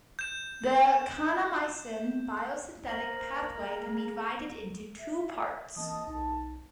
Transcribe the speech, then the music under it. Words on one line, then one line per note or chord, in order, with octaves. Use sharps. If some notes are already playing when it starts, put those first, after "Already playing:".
The kanamycin biosynthetic pathway can be divided into two parts.
G6 E7
A#3 C5 A#5 A#6 F#7
G#4
E5
E3 A#3 C4 D#5 A5 D#6
B1 D#4 A5